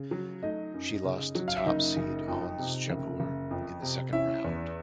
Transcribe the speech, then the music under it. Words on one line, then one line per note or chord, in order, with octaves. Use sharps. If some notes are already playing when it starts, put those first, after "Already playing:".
She lost to top seed Ons Jabeur in the second round.
Already playing: C#3
F#3
A3 D#4 D#5
F#2
C#3
F#3
F5
E5
F#1 D#4 D#5
F#1
F2
C3
F#1
F#1
F2
C3
C#4 E4 E5
E2